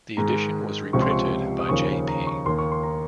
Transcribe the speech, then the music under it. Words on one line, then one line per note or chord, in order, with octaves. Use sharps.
The edition was reprinted by J.-P.
G#2 D#3 G#3 A#5
C#2 C3 F3 C#6
C6
C#6
D#6
D#2 C#3 F3 A#3 C#6
A#5
C#6
D#2 D#3 A#3 C6
C#6
C6
A#5